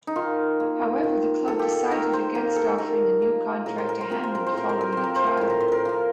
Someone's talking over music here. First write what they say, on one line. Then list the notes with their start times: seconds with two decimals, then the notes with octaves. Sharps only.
However, the club decided against offering a new contract to Hammond following a trial.
0.07 D#4
0.16 D#3 F4
0.60 A#3
1.03 D#3
1.48 A#3 A4
1.59 G4
1.72 A4
1.91 D#3 A#4
2.13 C5
2.35 A#3 A#4
2.56 A4
2.78 D#3 A#4
3.22 A#3
3.66 A2 A#4
3.78 C5
3.89 A#4
4.01 C5
4.10 F3 C4 A#4
4.23 C5
4.35 A#4
4.47 C5
4.53 A2 A#4
4.69 C5
4.81 A#4
4.92 F3 C4 C5
5.04 A#4
5.16 C5
5.26 A#4
5.37 A2 C5
5.50 A#4
5.60 C5
5.72 A#4
5.85 F3 C4